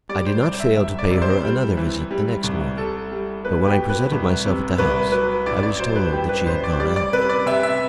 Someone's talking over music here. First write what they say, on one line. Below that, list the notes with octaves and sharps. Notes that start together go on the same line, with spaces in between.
I did not fail to pay her another visit the next morning, but when I presented myself at the house I was told that she had gone out.
G3 D5
C5
C2 D5
E5
C2 E5
D5
C3 D5
C5
G3
E3
G3
C2
G3 A4
G3
E2 B4
G4
B2
B4
C2
C3
C2 B4
F#3 B4
A1 D5
D5
F#3 C5
B4
G2 G4
B4
A1 C5
D5
G3 D5
D5
C3 B4
D5
C3 E5
E5